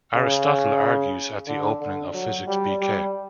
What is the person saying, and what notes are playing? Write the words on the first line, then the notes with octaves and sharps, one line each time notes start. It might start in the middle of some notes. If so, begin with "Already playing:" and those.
Aristotle argues at the opening of Physics bk.
C#3
D3
D3
F#3
G3
G3